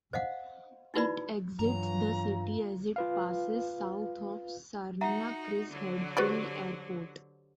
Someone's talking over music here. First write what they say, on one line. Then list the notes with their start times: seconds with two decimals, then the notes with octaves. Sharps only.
It exits the city as it passes south of Sarnia Chris Hadfield Airport.
0.13 C5 D#5 F5 F#5
0.94 D#4 E4 F#4 B4 D5 B5
1.59 G2 E3 F#3 F4 A#5
2.96 F4 B4 F5
5.01 D#4 F#4 E5 F#5 A#5
5.70 D3 F#3
6.17 F#4 G4 B4 C5 D5